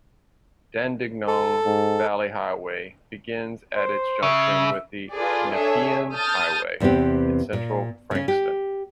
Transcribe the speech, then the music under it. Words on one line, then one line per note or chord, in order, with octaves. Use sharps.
Dandenong Valley Highway begins at its junction with the Nepean Highway, in central Frankston.
A4
G#2
C5
C#3 E5
F4 G#4 A4 B4 D5
D4 G#4 A4 C#5 E5
A5 D#6 F6 G6 A6
E2 C3 B3 C4 G4
A#2
C#3 C#4
G4